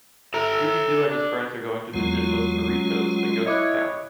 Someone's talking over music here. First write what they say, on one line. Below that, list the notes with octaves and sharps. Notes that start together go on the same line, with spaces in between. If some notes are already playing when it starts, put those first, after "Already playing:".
Scooby-Doo and his friends are going to visit Los Burritos, a ghost town.
A4 E5 A#5
D4
E2 E3 F#3 G#3 F4
C#4
E4 C#5 D#5 D6 F#6